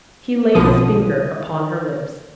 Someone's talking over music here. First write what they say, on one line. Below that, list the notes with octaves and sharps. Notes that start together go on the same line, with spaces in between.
He laid his finger upon her lips.
B1 B2 D3 F3 D#6